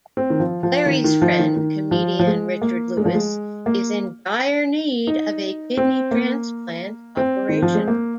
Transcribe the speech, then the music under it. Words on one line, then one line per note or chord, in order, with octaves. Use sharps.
Larry's friend, comedian Richard Lewis, is in dire need of a kidney transplant operation.
C4
D#3
F3
F3
D#3
D#3
F3
D#3
D#3
F3
F3
G#3
A#3
G#3
F3
G#3
A#3
D#4
C4
A#3
C4
D#3
F3
G#3
A#3